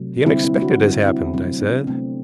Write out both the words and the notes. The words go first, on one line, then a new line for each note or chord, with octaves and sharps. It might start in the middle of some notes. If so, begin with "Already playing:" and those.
"The unexpected has happened," I said.
Already playing: C3 F#3 A3
D3 G3 C4 E4
C4 E4
D4 F#4
D3 G3 C4 E4
C4 E4
C3 F#3 A3 C4
B3 D4
C3 F#3 A3 C4